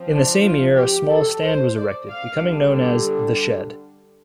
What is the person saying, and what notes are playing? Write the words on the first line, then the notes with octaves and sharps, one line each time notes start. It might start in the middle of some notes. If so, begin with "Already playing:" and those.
In the same year a small stand was erected, becoming known as 'the Shed'.
Already playing: F3 C4
D4
F4
G4
A4
C5
D5
F5
D3 G3 D4